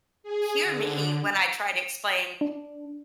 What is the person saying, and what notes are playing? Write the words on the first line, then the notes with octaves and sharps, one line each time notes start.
hear me when I try to explain
G#4
D3
D4